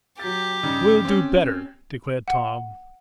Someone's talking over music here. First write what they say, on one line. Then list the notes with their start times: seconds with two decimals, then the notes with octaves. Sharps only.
"We'll do better," declared Tom.
0.20 F#3 G4 A6
0.63 G2 C#3 D#4
1.05 C4 C#4
2.28 F#5